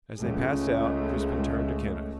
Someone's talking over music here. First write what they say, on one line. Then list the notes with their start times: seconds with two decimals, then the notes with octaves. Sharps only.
As they passed out, Crispin turned to Kenneth.
0.18 C#2 G#3 A3